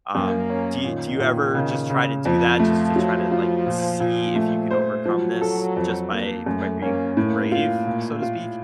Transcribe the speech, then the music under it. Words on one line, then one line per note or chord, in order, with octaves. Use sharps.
Um, do you do you ever just try to do that just to try to, like, see if you can overcome this just by by being brave, so to speak?
F#2 A#3
C#4
A#2 D#3
A#2
C#3
C#3
F2 F3
A3
F#3
F4
A#2
A#2
A3
C5
F3 F#3
A4
F2
A#3
F#2 A3
A#3 C#4
A2 A#3
F4
A#2
F4